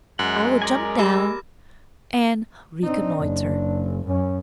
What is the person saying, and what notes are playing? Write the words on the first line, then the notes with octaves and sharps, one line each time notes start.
I will jump down and reconnoitre.
F#2 G#3 F#5
A#4 D5 G#5
G4 B5 E6
C4 D4 D#4
F#1
F#2 C#4